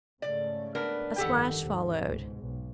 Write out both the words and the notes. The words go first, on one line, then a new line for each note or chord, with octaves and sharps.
A splash followed.
G#2 C#3 A3 D5
B3 D4 A#4
G1 F2 D#3 G4 A4 F#5
D#2 G#2 C3
C#2 G#2 B2
B1